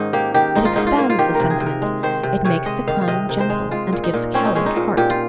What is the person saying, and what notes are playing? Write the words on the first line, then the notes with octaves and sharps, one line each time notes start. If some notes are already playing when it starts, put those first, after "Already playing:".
It expands the sentiment; it makes the clown gentle and gives the coward heart.
Already playing: G#2 D#3 C#4 D#4
A#3 G4
D#3 G4
G#2 D#4
F4
G#2 D#4
F4
A#3
F4
D#3 G4
C3 A#4
G#4
C3
A#4
G#3
D#3 C5
C3
C3 C#5
G#3 D#5
D#3 F5
F5
C3 D#5
C3 A#4
C5
G#3
G#3 F4
A#2
D#4
A#2
C4 C#4
D#4
G#3 C#4
D#4
A#2
A#2 G4
F4